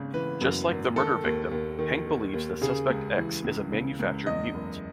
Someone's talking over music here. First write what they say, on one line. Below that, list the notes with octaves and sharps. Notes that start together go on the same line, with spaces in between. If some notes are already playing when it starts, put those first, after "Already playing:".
Just like the murder victim, Hank believes that Suspect X is a manufactured mutant.
Already playing: G#1 C#3
E3 B4
F#2
G#1
D#3 A4
D#2
D#2
D#3
D#3
D#2
C#3 G#4
C#2
E3
C#2
C#3
C#2
E2 D#5
F#1